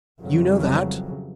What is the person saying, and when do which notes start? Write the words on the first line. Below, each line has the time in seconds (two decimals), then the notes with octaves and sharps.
"You know that?"
0.20 F2 C#3 E3 F#3 G3